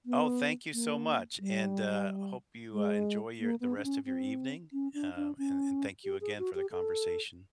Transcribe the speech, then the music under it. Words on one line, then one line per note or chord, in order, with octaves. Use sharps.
Oh, thank you so much, and, uh, hope you, uh, enjoy your the rest of your evening, uh, and and thank you again for the conversation.
B3
A#3
G3
G#3
A#3
B3
D4
C#4
C4
C#4
D4
D4
C#4
G4
G#4
F#4
G4
A4